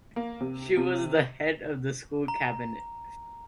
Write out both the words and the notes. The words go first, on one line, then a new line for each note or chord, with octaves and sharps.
She was the head of the School Cabinet.
A#3
C3
C3
A#5